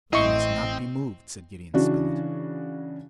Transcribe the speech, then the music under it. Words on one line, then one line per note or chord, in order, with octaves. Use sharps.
"He must not be moved." said Gideon Spilett.
A1 C4 E4 D#5 C#6
C#3 E3 D4 F#4